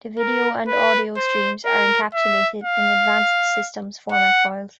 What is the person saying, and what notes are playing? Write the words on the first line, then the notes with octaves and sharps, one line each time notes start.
The video and audio streams are encapsulated in Advanced Systems Format files.
A#4
B4
C5
A#4
E5
F5
F#5